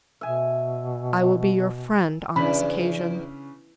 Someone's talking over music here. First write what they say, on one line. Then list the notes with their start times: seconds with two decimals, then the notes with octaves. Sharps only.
I will be your friend on this occasion.
0.21 B2 E5 G#5
2.36 E2 C#3 C#4 D4 B5